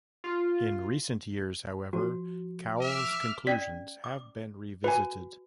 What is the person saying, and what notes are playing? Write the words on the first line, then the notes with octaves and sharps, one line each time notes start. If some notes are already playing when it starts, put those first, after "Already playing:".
In recent years however, Cowles' conclusions have been revisited.
F4
F3 F#4
E5 D6 F6
C#4 D5 B6
D6
F#4 B4 G#5